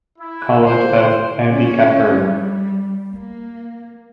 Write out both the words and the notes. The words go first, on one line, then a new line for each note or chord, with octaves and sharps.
College of Ambikapur.
E4
C5
C#4
G3
A#3